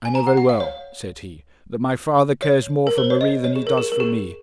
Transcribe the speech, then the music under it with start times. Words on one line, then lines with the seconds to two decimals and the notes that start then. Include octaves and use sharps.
'I know very well,' said he, 'that my father cares more for Marie than he does for me.'
0.05 G#5
0.15 A#5
0.27 F#5
0.37 F#5
0.49 F5
0.60 C#5
2.42 C#5
2.87 A#4
2.98 C5
3.10 C#5
3.21 D#5
3.44 C#5
3.56 G#4
3.67 A#4
3.78 G#4
3.92 A#4
4.00 G#4